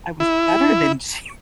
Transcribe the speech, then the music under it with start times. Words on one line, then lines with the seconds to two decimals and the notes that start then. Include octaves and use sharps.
I was better than she
0.20 E4